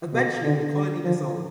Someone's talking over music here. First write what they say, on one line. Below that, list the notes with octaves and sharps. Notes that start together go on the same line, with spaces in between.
Eventually the Colony dissolved.
B2
D3
D3
F3